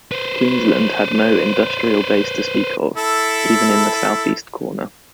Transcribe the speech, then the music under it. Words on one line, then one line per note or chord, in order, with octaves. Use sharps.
Queensland had no industrial base to speak of, even in the south east corner.
B4 C5
E4 A4